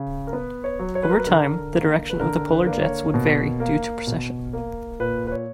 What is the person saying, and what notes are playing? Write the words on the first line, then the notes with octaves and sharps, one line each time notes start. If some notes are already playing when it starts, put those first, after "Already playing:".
Over time, the direction of the polar jets would vary due to precession.
Already playing: C#3
A#4
B3 B4
C#5
F#3
C#5
B4
A#4
B4
D3 A#4
A#3
B4
D3 A#4
B4
A#3 D5
C#5
B2
A#3
B2
A#3
A#2 B4
B4
C#5